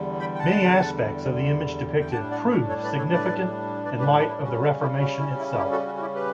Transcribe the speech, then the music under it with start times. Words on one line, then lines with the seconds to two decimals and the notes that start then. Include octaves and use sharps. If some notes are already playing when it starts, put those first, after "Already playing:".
Many aspects of the image depicted prove significant in light of the Reformation itself.
Already playing: E2 D3 G3
0.19 G5 B5
0.35 G5
0.39 F#5 A5
2.01 G5
2.12 A2 G3 D4 F#5 A5
2.31 D5 F#5
2.50 C#5 E5
2.69 A4 C#5
2.84 B4 D5
2.98 A4 C#5
3.13 B4 D5
3.85 B4 D5
3.99 G4 B4
4.29 E4
4.43 C#3 G3 C#4 F#4
4.62 F#4
4.81 E4 G4
5.01 F#4
5.19 E4
5.39 E4
5.58 E4 G4
5.71 F#4 A4
5.86 F#4
5.96 F#4
6.01 E4 G4
6.15 G4 B4